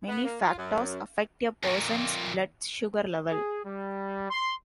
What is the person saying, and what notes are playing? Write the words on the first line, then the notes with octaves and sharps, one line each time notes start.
Many factors affect a person's blood sugar level.
B3
A#3
F4
F#2
F2 A#2
G#4
G3
C6